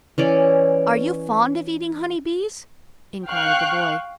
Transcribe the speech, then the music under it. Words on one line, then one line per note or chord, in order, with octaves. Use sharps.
"Are you fond of eating honey-bees?" inquired the boy.
E3 C#4 D5
F5 G5 C#6 F#6